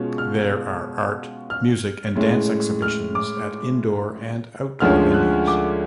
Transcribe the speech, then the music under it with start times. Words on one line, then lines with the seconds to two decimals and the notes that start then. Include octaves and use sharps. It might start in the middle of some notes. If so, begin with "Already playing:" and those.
There are art, music and dance exhibitions at indoor and outdoor venues.
Already playing: B2 G#3 C#4 F4
0.18 F6
1.50 F6
2.16 A2 G#3 C#4
2.82 F6
3.15 D6
4.80 D2 D3 F3 G#3 C#4 F6
5.14 F#6
5.47 D6